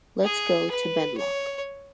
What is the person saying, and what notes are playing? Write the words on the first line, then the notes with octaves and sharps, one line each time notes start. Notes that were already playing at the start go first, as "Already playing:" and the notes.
Let's go to Benlloc.
G#4
B4
C#5